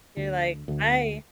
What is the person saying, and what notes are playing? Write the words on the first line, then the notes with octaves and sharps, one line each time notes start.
You're like, "I
D2 D3
D2 D3